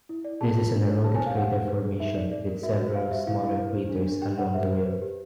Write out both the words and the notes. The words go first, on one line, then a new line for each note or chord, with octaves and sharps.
This is an eroded crater formation with several smaller craters along the rim.
E4
D5
G#4 A5
F4
D4
C#5
G4 A5
G#5
C5
F5
G4 F#5
C5
B4
G#4
D#4 E5
D5
D5
A#4
F#4 E5
F#4
C5 F5
G4 E5
E4 F5
E4
C5
G4
D4
D4
G4 G5
C5 F#5
G4 E5
C5
B4
G4